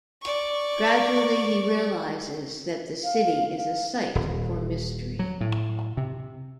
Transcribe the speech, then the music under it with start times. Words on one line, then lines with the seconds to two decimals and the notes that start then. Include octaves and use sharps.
Gradually, he realizes that the city is a site for mystery.
0.23 D5 C#6
3.04 F5
3.57 F5
4.15 D#1
5.19 F#3
5.41 A2
5.97 C3